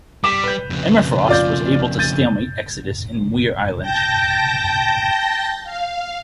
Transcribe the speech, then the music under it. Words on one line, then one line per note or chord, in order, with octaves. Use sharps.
Emma Frost was able to stalemate Exodus in Muir Island.
G3 D6 B6 E7
B4 G6
F2 C#3
F4 D5 G6
G6 A6 D#7
G5 A5 G6 A#6
F5